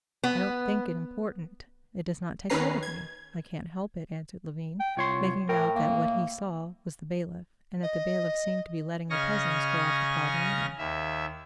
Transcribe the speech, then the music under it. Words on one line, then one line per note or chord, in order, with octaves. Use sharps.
"I don't think it important; it does not take hold of me, I can't help it," answered Levin, making out that what he saw was the bailiff, and that the bailiff seemed to be letting the peasants go off the ploughed land.
B3
D#2 D#3 C#4 B4 A#5 C7
G#6
G5
C2 F4 C#5 C6
A2 A#4 G5
A#3
D#5
C#3 D#5 G#5 C#6 F6 A#6
D#2 E5